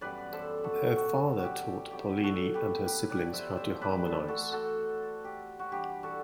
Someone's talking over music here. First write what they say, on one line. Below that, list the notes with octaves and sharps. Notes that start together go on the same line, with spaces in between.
Their father taught Paulini and her siblings how to harmonise.
F#2 E3 G3 B3 B4 D5
A4 C5
F#4 A4
F#4
F#4 G4
C3 F#3 B3 G4
F#4 A4
G4 B4
G4 B4
B4 D5
C5 E5
C5 E5
E3 A3 E4 B4 D5
A4 C5
F#4 A4
F#4 A4
G4
F#4
E3 G3 D4 G4
F#4 A4